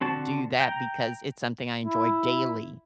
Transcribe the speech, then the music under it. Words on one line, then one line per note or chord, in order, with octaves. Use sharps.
do that because it's something I enjoy daily.
D3 C4 F#4 A5
G5 A#5
E4